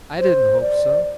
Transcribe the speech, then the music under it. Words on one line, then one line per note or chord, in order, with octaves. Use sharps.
I didn't hope so.
C5
D5